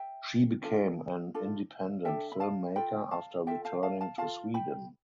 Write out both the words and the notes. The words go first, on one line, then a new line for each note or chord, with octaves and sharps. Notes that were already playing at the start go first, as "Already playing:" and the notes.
She became an independent filmmaker after returning to Sweden.
Already playing: E5 G5
D4 F4 A4
D4 F4 A4
D4 F4 A4 E5 G5
B5
F5 A5
F4 A4 G5 B5
F5 A5
F4 A4 E5 G5
F5 A5
F5 A5
F5 A5
F4 A4 F5 A5
G5 B5